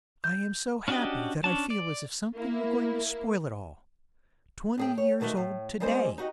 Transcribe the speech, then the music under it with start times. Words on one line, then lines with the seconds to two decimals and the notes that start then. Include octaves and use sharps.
I am so happy that I feel as if something were going to spoil it all. Twenty years old to-day!
0.24 G6
0.88 C#4 D4 F#4 G4 D#5
1.44 C#4 D4 A5
1.70 D5
2.38 A#3 E4
4.78 A2 G#4 G5
4.98 C#5
5.20 B2 D3 D#3 A3 F#4
5.37 A2
5.80 G3 G#3 A#3 C4 C5 G#5
6.18 D#4 F#4 G4 D#5